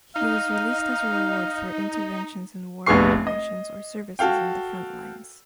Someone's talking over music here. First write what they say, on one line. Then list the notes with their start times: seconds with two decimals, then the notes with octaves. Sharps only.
He was released as a reward for interventions in war operations or services in the front lines.
0.16 D#4 F5
2.86 F1 A#1 B3 G#4 C#6 C7
3.27 D#5
4.19 F#4 A4 F5 G5